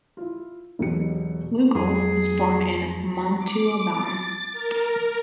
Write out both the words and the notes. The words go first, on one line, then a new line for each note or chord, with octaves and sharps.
Lugol was born in Montauban.
E4 F4
E1 B2 F#3 G4 C#7
F2 F#3 G#4
D6
A6
A#4